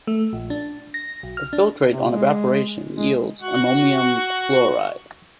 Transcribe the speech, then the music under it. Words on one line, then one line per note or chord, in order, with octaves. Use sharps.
The filtrate on evaporation yields ammonium chloride.
A3
A#1
D4
A#6
B1
F6
D4
C3
G#3
G#3
F#4 F#5 C#6 F#6